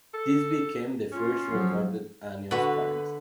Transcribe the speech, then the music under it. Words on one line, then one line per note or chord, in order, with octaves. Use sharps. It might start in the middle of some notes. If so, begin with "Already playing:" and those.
These became the first recorded Annuals tracks.
A4
C#4 F4
F3 F#3
D3 B3 F#4 B4